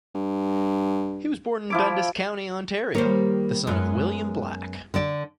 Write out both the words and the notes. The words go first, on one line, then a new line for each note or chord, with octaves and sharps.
He was born in Dundas County, Ontario, the son of William Black.
G2
F3 E4 D6
D#3 G3 A#3 C5 C#5
F#2 G#3 B3 F4
D3 A4 D5